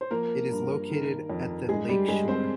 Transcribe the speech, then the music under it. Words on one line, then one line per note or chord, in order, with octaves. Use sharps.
It is located at the lake shore.
C5
F3 A#3 A#4
G2
D#3
F2
G2 G#3 G#4
G3 G4
G2 G#3 G#4
C4 C5